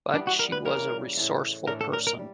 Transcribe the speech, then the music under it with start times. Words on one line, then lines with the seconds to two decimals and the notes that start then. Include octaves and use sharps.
But she was a resourceful person.
0.14 E3 G3 B3 D4
0.27 F#4
0.39 A#4
0.52 B4
0.65 C#3 E3 G3 A#3 A#4
1.17 A2 E3 A3
1.68 A2 E3 A3 D4 A#4
1.81 A4
1.93 A#4
2.07 A#4
2.19 G3